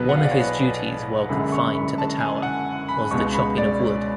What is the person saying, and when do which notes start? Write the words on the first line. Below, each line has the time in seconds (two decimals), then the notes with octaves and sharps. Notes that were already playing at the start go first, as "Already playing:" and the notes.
One of his duties while confined to the tower was the chopping of wood.
Already playing: B1 B2 F#3 B3 G#4 B4
0.09 F#5
0.16 F5
0.24 D5
0.31 C#5
0.39 B4
1.29 F#1 F#2 D3 G#3 B5
1.52 C#6
1.75 B5
1.98 A5
2.20 G#5
2.43 F#5
2.89 B5
3.11 C#2 B2 G#3 B3 C#6
3.34 B5
3.57 D5
3.79 C#5